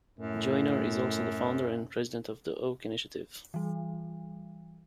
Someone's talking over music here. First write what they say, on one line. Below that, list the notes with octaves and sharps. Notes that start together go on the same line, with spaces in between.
Joyner is also the founder and president of the Oak Initiative.
F#2 A2
E3 G3